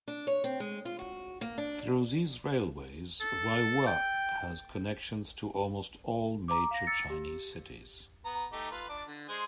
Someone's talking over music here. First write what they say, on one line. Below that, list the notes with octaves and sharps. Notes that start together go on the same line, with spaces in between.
Through these railways Huaihua has connections to almost all major Chinese cities.
D4
C#5
C4
G#3
F4
F#4
A#3
D4
A4
G5
A#5 D6
F5 A#6
E6 A6 C#7
G4
B3 A#5
A3 D#4 G4
F4 B4
D4 D5
D3
G#3 G#4 C5